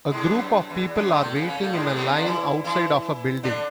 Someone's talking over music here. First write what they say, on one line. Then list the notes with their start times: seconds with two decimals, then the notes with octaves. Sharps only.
A group of people are waiting in a line outside of a building.
0.11 G#2 G#3
0.30 F#2 F#3
0.70 E2 E3
0.82 E2 E3
0.95 F#2 F#3
1.08 D3
1.21 A2 A3
1.35 C#3 C#4
1.42 B3
1.47 C#3 C#4
1.61 A2 A3
1.73 G#2 G#3
1.87 A2 A3
1.96 B2 B3
2.06 C#3 C#4
2.16 D3 D4
2.25 E3 E4
2.64 E3 E4
3.43 D3 D4